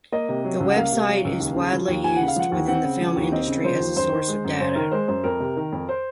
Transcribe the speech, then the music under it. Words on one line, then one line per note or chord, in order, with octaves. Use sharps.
The website is widely used within the film industry as a source of data.
A#3 D#5
C3
F#3
C#2
F#5
A#3 F5
C3
F#3
C#2
D#2
C#3
F3
D#2
D#2 G#5
C#3 F#5
F5
F3 F#5
D#2
C4 F#5
C#3
F3
D#2
C4 D#5
C#3
F3 C5
D#2
F#2 C5
D#3
G#3
F#2
F#2 C5
D#3 A#4
G#3 C5
F#2 C5
F2 A#4
C3
D#3
F2
C5